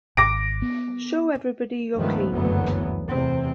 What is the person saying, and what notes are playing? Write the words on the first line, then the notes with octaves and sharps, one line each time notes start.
Show everybody you're clean.
G#1 D6 A#6 D7
B3
C#2 G2 D#3 F3 A3 B3
F#1 D2 G2 E3 F#3 B3
E2 A2 C3 C4